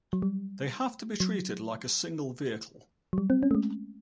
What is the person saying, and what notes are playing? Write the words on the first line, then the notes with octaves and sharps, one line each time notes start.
They have to be treated like a single vehicle.
F#3
G3
F#3
F#3
G3
C4
C#4
A3
G#3